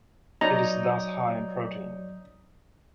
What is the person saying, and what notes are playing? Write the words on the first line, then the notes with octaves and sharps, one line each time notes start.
It is thus high in protein.
F#3 D#4 C#5 D5 A#5